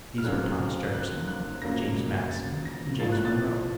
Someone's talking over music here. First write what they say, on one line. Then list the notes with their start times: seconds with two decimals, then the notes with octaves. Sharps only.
These were Thomas Jefferson, James Madison and James Monroe.
0.18 F6
0.24 F1 D#2 C#3 F#3 C4 F#6
0.93 F#6
1.27 F#6
1.62 F2 C#3 F#3 A#3 A#6
2.31 A6
2.65 A#6
3.00 A#1 A2 F3 A#3 A6
3.12 F#6
3.25 A6